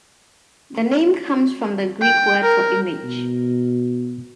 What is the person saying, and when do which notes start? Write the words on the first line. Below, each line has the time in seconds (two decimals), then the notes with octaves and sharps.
The name comes from the Greek word for "image".
2.02 G5
2.43 A#4
3.04 B2